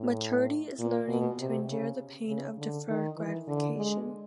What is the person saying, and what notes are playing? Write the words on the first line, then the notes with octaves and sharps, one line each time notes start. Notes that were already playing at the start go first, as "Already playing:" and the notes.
Maturity is learning to endure the pain of deferred gratification.
Already playing: A2
A#2
B2
C3
C#3
C#3
D3
D#3
E3
D3
G#3